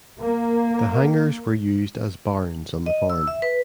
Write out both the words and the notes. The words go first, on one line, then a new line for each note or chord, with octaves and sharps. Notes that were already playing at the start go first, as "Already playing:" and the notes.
The hangars were used as barns on the farm.
A#3
D#5
E6
E5
B4